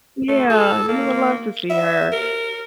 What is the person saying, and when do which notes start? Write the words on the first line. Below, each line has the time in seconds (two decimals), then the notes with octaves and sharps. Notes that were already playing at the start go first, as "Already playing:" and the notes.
Yeah, you would love to see her,
0.29 A3
0.50 A4
0.88 A#3
1.70 E5
2.12 A#4